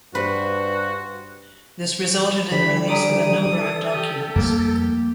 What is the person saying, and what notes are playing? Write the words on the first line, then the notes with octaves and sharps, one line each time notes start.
This resulted in the release of a number of documents.
G2 F#4 B4 C5
D3 G3 B5
D5 A#5 D#6
A4
G4
F2 G3 A3 A#3